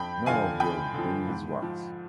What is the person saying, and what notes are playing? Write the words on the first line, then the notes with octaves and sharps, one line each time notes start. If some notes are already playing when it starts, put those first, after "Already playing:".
None of your beeswax.
Already playing: F2 G5 B5
D3 F3 F5 G#5
F2 G5 B5
D3 F3
G#2
F3